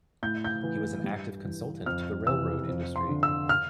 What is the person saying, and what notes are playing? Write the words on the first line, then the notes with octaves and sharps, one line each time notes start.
He was an active consultant to the railroad industry.
A2 G6
G6
E3
G2
E3
F2 F6
C3 E3 E6
F2
C6
D3
E6
F6